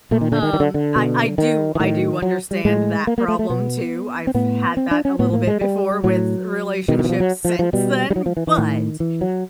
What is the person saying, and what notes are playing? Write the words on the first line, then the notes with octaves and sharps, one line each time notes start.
um, I I do I do understand that problem, too. I've had that a little bit before with relationships since then, but,
A#2 A3
D#3
D3
D#3
D#3
D3
D3
B2
D#3
E3
A2 D#3
F#3
G3
A2 G#3
A#3
A#3
A3
A3
B2 B3
C4
A2 B3
C4
D4
C#4
A2 B3
A#3
G#3
G3
A2 F#3
B2 D#3
D#3
E3
F3
F#3
F3
F3
B2 G3
G3
F#3
F3
E3
E3
A2 D#3
E3
F#3